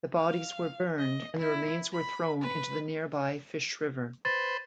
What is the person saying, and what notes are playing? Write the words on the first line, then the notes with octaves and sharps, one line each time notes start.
The bodies were burned and the remains were thrown into the nearby Fish River.
F5
D#5
E4
B5
B4
B4 C5 A6